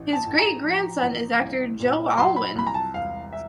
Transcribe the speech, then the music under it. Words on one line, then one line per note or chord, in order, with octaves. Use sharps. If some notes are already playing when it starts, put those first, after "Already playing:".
His great-grandson is actor Joe Alwyn.
Already playing: A1
A5
A2
A#5
F3
A1
C2
A#2
F#3 C6
B5
C2 B5
A#5
A5
E1 F5
E5